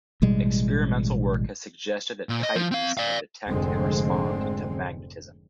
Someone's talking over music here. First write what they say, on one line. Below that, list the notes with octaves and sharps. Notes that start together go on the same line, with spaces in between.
Experimental work has suggested that chitons can detect and respond to magnetism.
A1 B2 G3 G#3
A#2
D#5
F3
C4 F5
D5 F5
F1 G#2 D3 G#3 C4